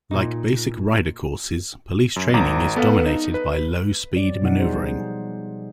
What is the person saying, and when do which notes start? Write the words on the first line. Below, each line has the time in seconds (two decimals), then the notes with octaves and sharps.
Like basic rider courses, police training is dominated by low-speed maneuvering.
0.11 A#2 D#4
2.16 F#2
2.34 G#1 A#5 D6
2.76 B3 A4 B4 F5
3.06 D#4
3.34 B4
4.16 F#3 D5
4.42 B2 F3 D#4 F#5
4.59 G3 G#4 C5